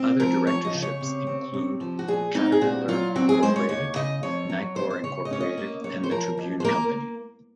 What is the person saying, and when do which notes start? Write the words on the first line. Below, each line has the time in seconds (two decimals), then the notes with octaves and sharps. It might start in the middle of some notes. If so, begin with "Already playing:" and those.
Other directorships include Caterpillar Incorporated Nicor Incorporated and the Tribune Company.
Already playing: C4
0.20 F3 A#4
0.47 F#2 C#5
0.65 D#5
0.74 C#3
0.82 C#5
1.01 C3
1.27 C4
1.54 C3
1.80 F3
1.99 F#4
2.08 A#2 G#4
2.34 C4 D#4
2.52 G#4
2.61 A#2 F#4
2.88 F#3 F4
3.16 C4 F#4
3.29 G#4
3.42 G#3 C5
3.56 C#5
3.69 D#2 C#5
3.96 C#3 D#5
4.23 F2 C#5
4.49 F#3
4.76 F2 C5
4.90 C5
5.04 C#3 C#5
5.25 D#5
5.31 C#4 C#5
5.41 D#5
5.57 A#3
5.84 F#2 C#5
6.04 C5
6.11 F3 A#4
6.37 D#2
6.60 C5
6.65 A#3 A#4